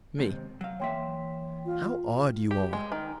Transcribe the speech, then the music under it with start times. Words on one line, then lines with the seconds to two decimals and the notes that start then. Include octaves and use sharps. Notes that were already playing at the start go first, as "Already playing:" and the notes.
ME: How odd you are!
0.19 D#2 G#2 C3
0.61 F#3 F5
0.80 E3 A#3 C#5 E5 G5 C6
1.66 F4
2.51 G4
2.73 G#3
2.92 D#3